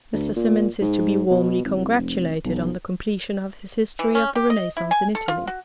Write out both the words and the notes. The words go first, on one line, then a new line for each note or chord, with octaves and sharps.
Mr. Symonds is to be warmly congratulated on the completion of his history of the Renaissance in Italy.
D2
A#2
G#2
B2
G#1
C2
F1
B1
E3
C#4
G4
D#5
E4
G#5
A4
F4
F#4